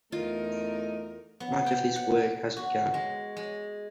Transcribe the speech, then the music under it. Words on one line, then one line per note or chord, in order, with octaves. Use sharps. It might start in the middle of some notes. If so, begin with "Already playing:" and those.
Much of this work has begun.
E2 E3 A3 D#4 F4 A#4
B3
G5
F#5
F#4
G#3
G#3